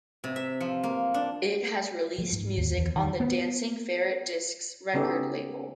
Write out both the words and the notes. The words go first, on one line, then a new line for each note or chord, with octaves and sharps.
It has released music on the Dancing Ferret Discs record label.
C3
E5
F3
A#3
D4
F3
G#2
D#2
E2
D#3
B3
C#3 B3 C#4 D#4 G4 A4